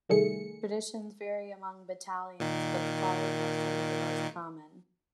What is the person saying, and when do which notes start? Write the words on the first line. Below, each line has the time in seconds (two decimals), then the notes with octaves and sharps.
Traditions vary among battalions, but the following are some of the most common.
0.09 C2 D#3 G3 A3 G#4 C#7
2.40 A#2 D#3